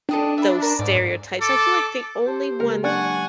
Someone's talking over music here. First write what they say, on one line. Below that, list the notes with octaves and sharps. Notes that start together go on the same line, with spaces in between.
those stereotypes. I feel like the only one
D4 A4 D#5 G5
E5 B5
A#4 C5
G#2 D5
A4 D6
G4 C5 A5
C#3 G#3 A#3 A#4
F#3 D4 F#5 G#5 C#6